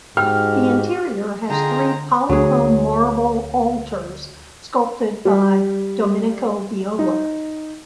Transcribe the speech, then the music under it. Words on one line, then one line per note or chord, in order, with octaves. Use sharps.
The interior has three polychrome marble altars sculpted by Domenico Viola.
G#2 F#4 G4 G5 F6
D3 D#4 F4 G#4 G5 A#5
D2 F#3 G#4
G3
D#4